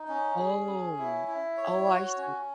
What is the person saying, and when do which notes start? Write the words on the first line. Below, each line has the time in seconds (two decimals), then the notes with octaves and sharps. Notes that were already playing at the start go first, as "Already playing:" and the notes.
Oh. Oh, I see.
Already playing: D#4
0.08 C#4
0.39 G#4
0.68 C#4
0.98 E4
1.28 E4
1.57 C#5
1.87 F#4
2.17 C#4